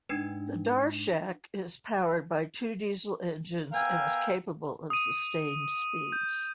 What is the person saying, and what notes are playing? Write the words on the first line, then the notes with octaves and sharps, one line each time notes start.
The "Darshak" is powered by two diesel engines and is capable of sustained speeds.
G#2 D4 D#4 B4
B3 A#4 E5 F5 G5 G#5
D#6 D#7
G6